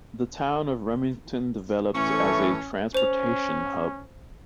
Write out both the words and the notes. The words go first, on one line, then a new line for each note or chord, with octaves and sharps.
The town of Remington developed as a transportation hub.
A2 E3 A3 C#4 C#6
C#4 C5 F7